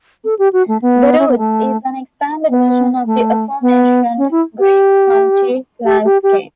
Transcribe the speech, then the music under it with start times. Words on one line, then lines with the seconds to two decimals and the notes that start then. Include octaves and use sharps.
"The roots" is an expanded version of the aforementioned Greek country landscape.
0.25 A4
0.39 G4
0.53 F#4
0.68 A3
0.82 B3
1.19 C#4
1.28 B3
1.38 A3
2.50 B3
3.05 A3
3.61 B3
4.17 C#4
4.31 E4
4.59 G4
5.85 G4
6.05 G4
6.23 G4